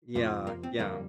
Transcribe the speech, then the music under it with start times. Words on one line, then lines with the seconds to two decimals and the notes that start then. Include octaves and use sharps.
Yeah, yeah.
0.15 F2 C3 F3 A3
0.47 A#3
0.63 C4
0.79 F2 D3 G3 A#3